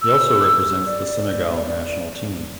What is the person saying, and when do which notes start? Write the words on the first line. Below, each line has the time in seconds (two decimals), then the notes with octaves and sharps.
He also represents the Senegal national team.
0.01 E6
0.86 D5